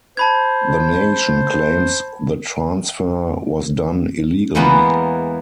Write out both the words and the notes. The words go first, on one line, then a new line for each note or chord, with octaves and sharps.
The Nation claims the transfer was done illegally.
C5 A5 B5 G#6
E2 E3 G#3 A#3 B3